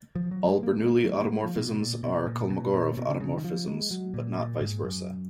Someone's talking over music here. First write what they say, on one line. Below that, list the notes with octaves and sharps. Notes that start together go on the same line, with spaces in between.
All Bernoulli automorphisms are Kolmogorov automorphisms but not "vice versa".
F3
F#3
G#3
A#3
G#3
A#3
F#3
G#3
A#3
G#3
F3
B2
A#2
B2
A#2
B2
A#2
B2
C#3
C#3
D#3
F3
G#3
F#3
A#2
A#2
G#2
F#2